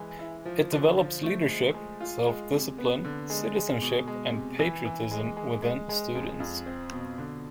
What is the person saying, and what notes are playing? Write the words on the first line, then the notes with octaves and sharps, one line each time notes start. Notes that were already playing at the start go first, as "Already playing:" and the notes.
It develops leadership, self-discipline, citizenship, and patriotism within students.
Already playing: E3 G#3
E4
F3
D3
F3
A3
G#3
G#3
F4
G#3
C3
B3
D3
G#3
G#3
B2
G#3
C3
E3
E3
G#3
G#3
G#3
G#3
F2
F2
C4
B2
D3